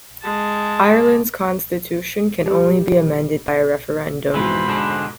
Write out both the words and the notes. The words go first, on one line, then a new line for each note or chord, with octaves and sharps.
Ireland's Constitution can only be amended by a referendum.
G#3 A5
G3
F2 G#2 B2 E3 C5 B5
D3 G#3 D4